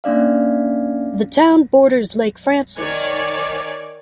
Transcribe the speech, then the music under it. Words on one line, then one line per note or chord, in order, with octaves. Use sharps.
The town borders Lake Frances.
A#3 C#4 D4 D5 F5
D#3 C#5 D5 G#5